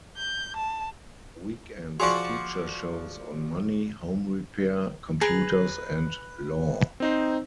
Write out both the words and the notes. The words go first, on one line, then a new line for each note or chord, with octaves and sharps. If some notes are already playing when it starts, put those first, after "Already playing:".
Weekends feature shows on money, home repair, computers and law.
G6
A5
F3 F#4 G#4 D5 F#5 C6 C#6
G#4 B4 A#5
C4 D#4 C5